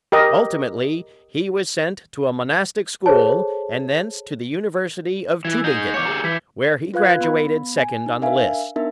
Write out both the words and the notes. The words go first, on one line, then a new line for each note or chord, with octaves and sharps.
Ultimately he was sent to a monastic school and thence to the University of Tuebingen, where he graduated second on the list.
G4 A#4 D#5
G#4 A4 C5 C#5 A5
E3 G#6
D#4 G#4 G6
E2 C#5 D6 G6 C#7
G4 G#4 A#5
E3 G#6 B6
F4 B4 F5 F#6 G#6
B3 B5
G#5
D#4
D4 A#4 E5 F5 G#5
B3 D4 D#4 A#4 E5